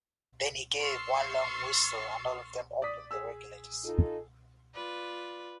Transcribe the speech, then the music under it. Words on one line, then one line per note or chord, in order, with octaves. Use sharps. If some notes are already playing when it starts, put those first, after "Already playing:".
Then he gave one long whistle and all of them opened their regulators.
C6 C#6 E6 F6 A6 C7
D5 D#6 B6
G#4 E6
D#4 F4 A4
F4 B4 D5